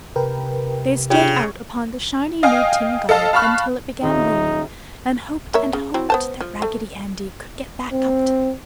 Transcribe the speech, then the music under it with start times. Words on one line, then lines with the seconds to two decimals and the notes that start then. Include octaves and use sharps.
They stayed out upon the shiny new tin gutter until it began raining and hoped and hoped that Raggedy Andy could get back up to them.
0.16 C3 A#4 B4 G5
1.10 C#3 D4 F4 G4 G5
2.43 D#5 F5 G5 G#5 D#6
3.09 A4 D#5 F5 A5
3.33 F5 A5 B5 C#6 F6 F#6
4.03 D#1 D#4
5.54 A#3 C#5 E5
5.73 C#3
5.94 F#3 C4 E4
6.10 B3 C5 A5
6.41 F3
6.62 A3
7.93 C4